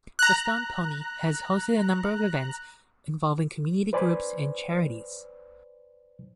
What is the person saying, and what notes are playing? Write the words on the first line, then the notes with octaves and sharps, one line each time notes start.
The Stone Pony has hosted a number of events involving community groups and charities.
A#5 F#6
B4 C5 D5 G#5 B5 C6